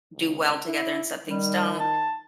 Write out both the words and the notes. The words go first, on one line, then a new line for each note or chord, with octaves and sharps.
do well together and some things don't.
C#2
E4
D#3 G3
A5